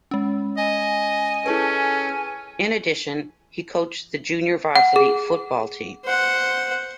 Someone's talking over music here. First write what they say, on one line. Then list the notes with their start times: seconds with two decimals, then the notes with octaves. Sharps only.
In addition, he coached the junior varsity football team.
0.11 G#3 C#4
0.57 D#5 G#5
1.46 C#4 E4 G#4 A4 B4
4.76 F#5
4.96 G#4
6.05 C5 F#5